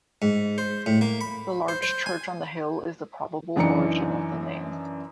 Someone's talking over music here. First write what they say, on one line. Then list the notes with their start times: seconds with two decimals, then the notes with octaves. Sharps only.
The large church on the hill is the probable origin of the name.
0.22 G#2
0.58 C5
0.86 A2
1.01 A#3
1.21 B5
1.68 C5
1.82 C5
2.06 G#5
3.56 F#2 E3 D4 D#4 C#7